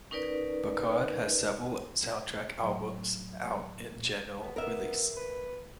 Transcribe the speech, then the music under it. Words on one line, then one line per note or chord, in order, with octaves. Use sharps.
Burkhard has several soundtrack albums out in general release.
C#4 D#4 A#4 B4 D5
A2 F#3
D1 A#2
B3
B3 A#4 E5
B4